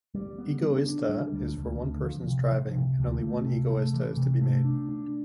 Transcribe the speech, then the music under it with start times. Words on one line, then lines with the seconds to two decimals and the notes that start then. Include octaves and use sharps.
Egoista is for one person's driving and only one Egoista is to be made.
0.15 G3
0.38 B3
0.62 D4
0.86 D4
1.09 G3
1.33 D2
1.57 D2
1.80 D2
2.04 F3
2.28 C3
2.52 F3
2.75 C3
2.99 D2
3.22 A3
3.46 C3
3.70 A3
3.93 E3
4.17 C3
4.41 A3
4.65 D4
4.89 D4